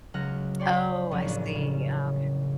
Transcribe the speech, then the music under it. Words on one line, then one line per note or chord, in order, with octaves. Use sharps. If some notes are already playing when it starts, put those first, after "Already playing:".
Oh, I see. Oh, okay.
C#2 F#3 F#5 F6 A#6
C#5 D5 G5 C6 B6
F#1 F3 C#4
A1 D4
C#3